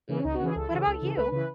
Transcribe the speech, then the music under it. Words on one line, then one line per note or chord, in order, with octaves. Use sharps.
Mhm. What about you?
C#3 E3
C#4
C#2 D#4
F#4
C#3 E3 G#4
C#2 A4
C#3 E3
C#2
C#3 E3
C#2 B4
C#3 E3 B4